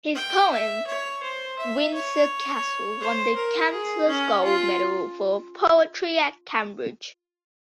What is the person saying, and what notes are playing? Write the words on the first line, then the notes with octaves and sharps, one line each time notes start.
His poem "Windsor Castle" won the Chancellor's Gold Medal for poetry at Cambridge.
G5
E5
C#5
C5
E5
C#5
C5
A#4
G#4
C#4
F4